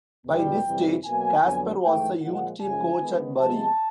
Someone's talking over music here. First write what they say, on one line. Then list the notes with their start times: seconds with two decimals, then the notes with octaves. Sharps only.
By this stage, Casper was a youth team coach at Bury.
0.27 E2 B2 G3 G5
0.66 F2 C3 E3 G3
1.05 B2 F#3 A#3 G#5
1.43 F2 D3 F#3 B3
1.82 G#2 E3 A3 G5
2.21 A#2 F3 G#3 F#5
2.59 F#2 C#3 F3 G#3 G#5
2.99 D#3 G#3 B3
3.37 C3 F3 G#3 A5